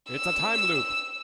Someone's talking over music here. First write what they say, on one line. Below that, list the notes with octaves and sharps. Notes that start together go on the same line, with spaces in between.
It's a time loop!
E6